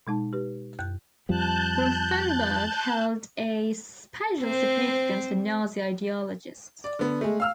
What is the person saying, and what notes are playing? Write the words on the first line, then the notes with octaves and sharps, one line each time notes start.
Rothenburg held a special significance for Nazi ideologists.
B2 G#3 D#4 A5
G4 B4
F#2 F#6 G6
F2 F3 G3 A5 F#6 G6
C4 C5
D5
D3 B3
G#3 A3
F5 E6 F6